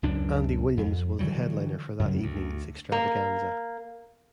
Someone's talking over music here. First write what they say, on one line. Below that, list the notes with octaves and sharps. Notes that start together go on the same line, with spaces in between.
Andy Williams was the headliner for that evening's extravaganza.
C#2 F#2 D4
F2
D3 E3 F#3 G3
F#2 C#3 F#3
D2
A#3